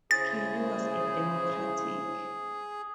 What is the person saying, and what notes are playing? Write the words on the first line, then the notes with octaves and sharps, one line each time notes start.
Kelly was a Democrat.
C#3 E4 G#4 C5 A6